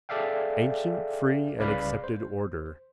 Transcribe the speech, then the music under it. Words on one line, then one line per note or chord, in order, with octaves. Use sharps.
Ancient free and accepted order.
G#4 A4 D5 E5 F5 G5
C2 C#3 B4 D5 F5 B5
C5